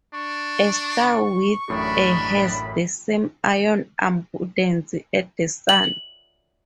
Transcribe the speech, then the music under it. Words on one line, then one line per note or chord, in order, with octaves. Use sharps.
A star with a has the same iron abundance as the Sun.
D4 C#6
A1 F#2 A2 D4 B5
F#7